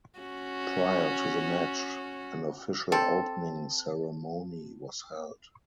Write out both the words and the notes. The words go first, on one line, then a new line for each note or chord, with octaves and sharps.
Prior to the match an official opening ceremony was held.
C#4 F#4
C4 A4